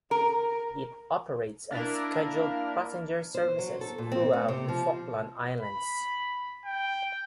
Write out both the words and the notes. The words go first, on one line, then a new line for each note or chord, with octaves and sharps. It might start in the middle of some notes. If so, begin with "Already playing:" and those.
It operates unscheduled passenger services throughout the Falkland Islands.
A#4
A#3 D4 E4 A#4
C5
F#3
A4
A#2
C4
A3
C3
F3
B5
G5